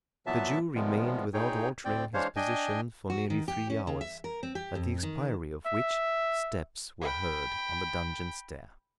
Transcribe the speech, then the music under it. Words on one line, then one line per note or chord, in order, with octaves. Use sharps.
The Jew remained, without altering his position, for nearly three hours, at the expiry of which steps were heard on the dungeon stair.
A#2 E3 F#3 B3 E5 A5
C3 D#3 F3 G3 G#3 B3
A#2 D#4 G#4 C#5 G5
D2 C4 D5 G5
E3 G#3 D4 C5 C#5 F5
D4 D#5 G5 G#5
F#4
D#3
G4
C#4
C#3
E5
A#4
C4
G4
F2
D#3
E5
G5 B5